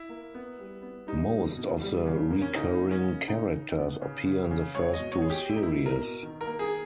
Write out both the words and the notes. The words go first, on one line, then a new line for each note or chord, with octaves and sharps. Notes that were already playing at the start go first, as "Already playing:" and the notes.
Most of the recurring characters appear in the first two series.
Already playing: E4
A#3
B3
G3
B3
G3 D#4
B2
B2
G3
C#3
A#3
C#4
C#3 D#4
A#3
C#4
C#3
C#3 D#4
C#3
B3
C#3
C#3
C#3
G#3 C#5
D#5
B2
C#5
B2 G#4
G4
G#3 E4
D#4
E4
B2
A#4
B2
D#3
A#4
A#3
G#4